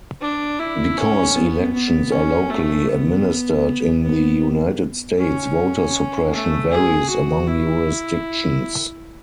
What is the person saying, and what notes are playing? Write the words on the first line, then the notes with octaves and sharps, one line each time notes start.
Because elections are locally administered in the United States, voter suppression varies among jurisdictions.
D4
E4
C#4
B3
B3
C#4
A3
B3
B3
C#4
A3
G#4
F#4
E4